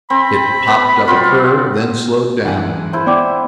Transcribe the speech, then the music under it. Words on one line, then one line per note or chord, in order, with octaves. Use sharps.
It popped up a curve, then slowed down.
C4 B5
B3
F#3 C4 F4
G#2 E3 F#5 G#5
E4 C5
B3 D5 G5 D6